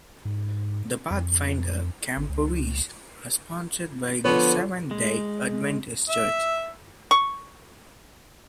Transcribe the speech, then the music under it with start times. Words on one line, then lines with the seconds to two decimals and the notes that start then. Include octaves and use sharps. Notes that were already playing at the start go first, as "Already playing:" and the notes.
The Pathfinder camporees are sponsored by the Seventh-day Adventist Church.
0.25 G#2
1.11 F2
2.17 G#1
2.29 C#2
4.25 D3 F3 B3 C#5
4.91 G#3
6.10 E5
7.11 C#6